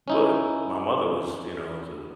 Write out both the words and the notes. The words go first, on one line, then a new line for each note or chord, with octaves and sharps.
but my mother was, you know, the
C#4 D#4 E4